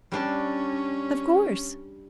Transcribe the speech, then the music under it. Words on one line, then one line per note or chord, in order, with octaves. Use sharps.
"Of course."
G3 C#4 D4